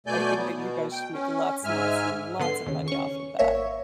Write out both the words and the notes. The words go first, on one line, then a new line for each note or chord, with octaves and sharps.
I think that you guys should make lots and lots and lots of money off of that.
B2 A3 D5 G#5 G6
F#3 B3
B2
G5
C#4
G#2 G#3 E5 G#5 F6
D3 B3 C6 C7
D#2 C#3
C#4 C#6
G#1 A#3 C#5 E5